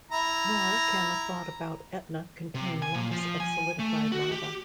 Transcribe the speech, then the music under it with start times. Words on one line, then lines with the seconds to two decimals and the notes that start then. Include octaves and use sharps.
Nor can a thought about Etna contain lumps of solidified lava.
0.12 E4 A#5
2.55 C3
2.82 G#5
2.95 A#2
3.11 F3
3.40 G#5
3.79 A3
4.12 F#4
4.32 G4